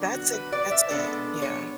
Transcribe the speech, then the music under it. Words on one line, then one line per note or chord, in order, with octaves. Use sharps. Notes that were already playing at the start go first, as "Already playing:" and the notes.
that's it, that's it, yeah.
Already playing: D3 F#3 B3 D4
F#4
B4
D5
E5
B2 G#3 B3 D4 A4
C#5